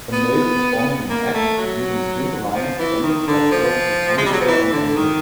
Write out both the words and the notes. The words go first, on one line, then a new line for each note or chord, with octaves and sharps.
A male performing an act using string lines bending backwards with underwear on only.
B3
A#3
A3
F#3
F3
E3
D#3
D3
F3
G#3
G3
F#3
F3
E3
D3
D#3